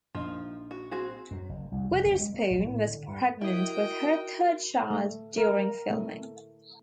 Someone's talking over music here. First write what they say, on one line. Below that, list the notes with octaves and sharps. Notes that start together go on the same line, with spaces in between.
Witherspoon was pregnant with her third child during filming.
A#1 F3 D#4
F#4
C4 F#4 G#4
F#2
F#1
C2
F1
F#1
G#3
A3
A#1
A2
D3
G2
E4 F#4 A#4 D#5 G5
A3
A#4
A3